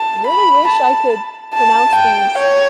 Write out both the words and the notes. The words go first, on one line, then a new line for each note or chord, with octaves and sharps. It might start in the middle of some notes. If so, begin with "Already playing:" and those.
"Really wish I could pronounce these
Already playing: A5
B5
A5
A5
G5
C#5